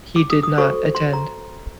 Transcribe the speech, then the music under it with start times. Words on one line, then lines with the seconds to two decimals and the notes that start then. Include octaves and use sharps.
He did not attend.
0.16 D6
0.30 D#6
0.43 D#6
0.58 F#4 A4 C5 C#6
0.95 C6
1.13 A#5